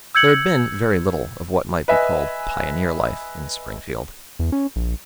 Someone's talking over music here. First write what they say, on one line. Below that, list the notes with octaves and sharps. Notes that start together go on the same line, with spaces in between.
There had been very little of what might be called pioneer life in Springfield.
E6 G6 G#6 C#7 F#7
B4 D#5 E5 G#5
E2
C#4
A#1